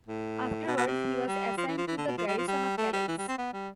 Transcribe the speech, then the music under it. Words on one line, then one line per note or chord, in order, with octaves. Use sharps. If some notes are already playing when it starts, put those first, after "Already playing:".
Afterwards, he was assigned to the garrison of Calais.
A2
B2
B2
C3
G3
F3
E3
F3
E3
D3
B2
F3
G3
F3
G3
A3
G3
E3
G3
C4
B3
G3